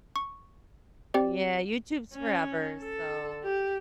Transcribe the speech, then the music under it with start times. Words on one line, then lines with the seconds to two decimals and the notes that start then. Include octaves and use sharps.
Yeah, YouTube's forever, so
0.16 C#6
1.14 C4 G4 D5
2.14 C#4
2.81 A4
3.43 G4